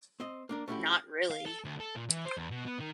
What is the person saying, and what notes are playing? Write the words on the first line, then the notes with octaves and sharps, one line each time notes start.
Not really.
C4 D#5
A#3 D4 A#4
A3 C#4 D4 E4 F#4 G4
F5
A4
D2
A4
A#2
E3
C5
E2
B2
B3
D#3